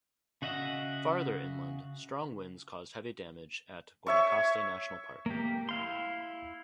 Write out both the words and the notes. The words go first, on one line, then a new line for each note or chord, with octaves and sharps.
Farther inland, strong winds caused heavy damage at Guanacaste National Park.
C#3 F#4 D#5 E5 F#5
C#5 E5 C#6
A#3 G4
E4 F5 C6